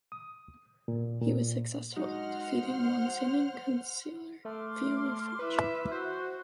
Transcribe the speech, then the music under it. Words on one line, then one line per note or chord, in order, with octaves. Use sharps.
He was successful, defeating long-standing councillor Fiona Faucher.
D#6
A#2
A#2
F#3 G#3 D#4 D#5 F#5 C6 F6
C5
A3 C6 D6 F6
E4 B4 E5
F#4 C5